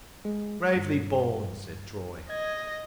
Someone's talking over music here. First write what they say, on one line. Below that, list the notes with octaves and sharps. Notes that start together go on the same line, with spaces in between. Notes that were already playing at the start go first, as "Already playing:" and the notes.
"Bravely borne!" said Troy.
G#3
G2
D#5 G#6